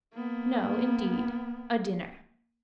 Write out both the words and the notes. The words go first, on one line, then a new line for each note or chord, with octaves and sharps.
No, indeed--a dinner.
A#3 B3